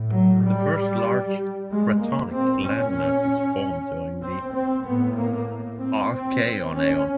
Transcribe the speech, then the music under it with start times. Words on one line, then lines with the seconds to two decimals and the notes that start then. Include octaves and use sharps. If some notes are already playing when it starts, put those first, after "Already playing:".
The first large cratonic landmasses formed during the Archean eon.
Already playing: A2
0.13 F#3
0.44 G3
1.70 G#3
2.01 A#3
2.33 A#2 C4
2.64 C#4
4.22 C4
4.54 C4
4.85 A2 B3
5.16 A#3
5.79 C4
6.11 C4
6.42 C4
6.73 C#4